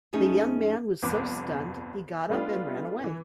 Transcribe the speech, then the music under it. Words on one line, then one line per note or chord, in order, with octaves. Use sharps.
The young man was so stunned he got up and ran away.
F2 A3 C#4 D#4 G#4 D#5
G1 C2 F2 D6
G3 A3 B3 D4 D#4 F4
E3